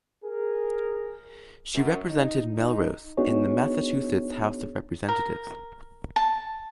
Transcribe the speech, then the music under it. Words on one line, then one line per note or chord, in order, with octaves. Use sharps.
She represented Melrose in the Massachusetts House of Representatives.
G#4 A#4
F#2
D#4
D#4
B3 D4 D#4 F#4 G#4 C#5
A#4
A5